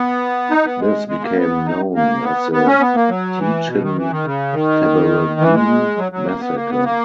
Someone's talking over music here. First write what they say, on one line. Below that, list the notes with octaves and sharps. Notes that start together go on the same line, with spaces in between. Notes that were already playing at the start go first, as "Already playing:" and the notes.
This became known as the Tchin-Tabaradene massacre.
Already playing: B3
D#4
B3
G#3
G#3
A#3
B3
D#4
A#3
B3
B3
C#4
B3
A#3
F#3
E3
B2
D#3
E3
D#3
C#3
D#3
E3
G#3
F#3
F#3
A#3
B3
A#3
B3
A#3